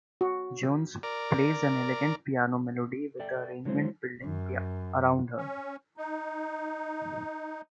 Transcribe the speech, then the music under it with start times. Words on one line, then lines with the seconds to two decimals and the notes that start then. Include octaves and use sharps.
Jones plays an elegant piano melody with the arrangement building around her.
0.21 F#4
1.03 A#4 D5
3.19 A4 D5 E5 G5
3.65 D3 F#3 G#3 E4 C5
4.23 F#2
5.37 C#4
5.97 D#4